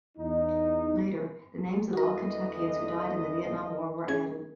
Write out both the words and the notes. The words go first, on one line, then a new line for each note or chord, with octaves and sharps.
Later, the names of all Kentuckians who died in the Vietnam War were added.
E2 D#4
E2 D3 F#4 A#4 D#5
C#4 G#4 G#6